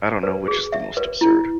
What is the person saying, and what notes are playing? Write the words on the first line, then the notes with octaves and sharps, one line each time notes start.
I don't know which is the most absurd.
B4
G#4
E5
B4
E4